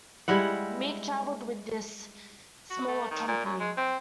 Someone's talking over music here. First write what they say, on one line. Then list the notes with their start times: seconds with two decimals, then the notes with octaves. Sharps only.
Meek traveled with this smaller company.
0.28 G3 G#3 E4 F#5
2.70 F#4
2.87 A3
3.11 D#3
3.28 A#2
3.45 F#2
3.60 G#3
3.77 C4